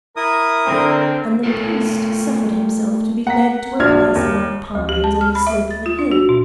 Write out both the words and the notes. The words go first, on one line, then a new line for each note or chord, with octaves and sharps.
And the priest suffered himself to be led to a place among pines, on the slope of a hill.
E4 A#4 D#6
D3 C4
A3 F4 A4 A#4
F#5 A#5 B6
A#1 A#2 D4 F#4 F6 G#6
D#2
D2
G4
A5
F6
B5
E5
A6
F4
D4
F#4
B2